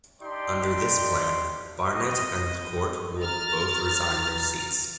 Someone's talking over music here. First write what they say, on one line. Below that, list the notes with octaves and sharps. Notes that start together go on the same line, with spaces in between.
Under this plan, Barnett and Court would both resign their seats.
D4 D#4 G4 D5 C6
D#5
A#5 F6 A6